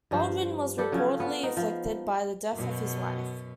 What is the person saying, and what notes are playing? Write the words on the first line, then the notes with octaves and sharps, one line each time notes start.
Baldwin was reportedly afflicted by the death of his wife.
G2 F3 C5
G3 G4 A4 F#5
C#3 F3 F#3 C#4
B3 F4
D#4
F3
F#2 B2